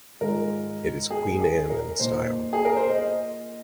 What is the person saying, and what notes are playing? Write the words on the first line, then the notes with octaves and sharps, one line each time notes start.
It is Queen Anne in style.
G#2 D#3 G#3 F4 A#4
G#4
G#4
A#4
A#2 A#3 D#4 C5
G#4
A#4
C5
D#5